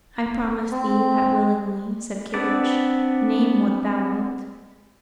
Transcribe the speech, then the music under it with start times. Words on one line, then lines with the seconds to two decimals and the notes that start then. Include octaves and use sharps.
"I promise thee that willingly," said Kilhuch, "name what thou wilt."
0.72 C4
2.34 B3 C4 D4 B4 D5